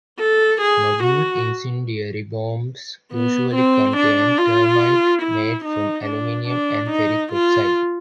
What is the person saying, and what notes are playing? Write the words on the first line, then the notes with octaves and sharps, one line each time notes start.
Modern incendiary bombs usually contain thermite, made from aluminium and ferric oxide.
A4
G#4
F#4
B3
C4
D4
F4
E4
D#4
D4
D4
D#4
F4